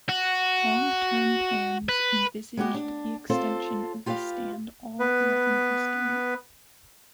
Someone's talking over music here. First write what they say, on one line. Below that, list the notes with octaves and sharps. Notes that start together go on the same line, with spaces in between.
Long-term plans envisaged the extension of the stand all around the stadium.
F#4
B4
G#3 B3 F#4 G4
D4
C4 F4 A4 C5
F4 G4 B4 D5 F5
B3 B4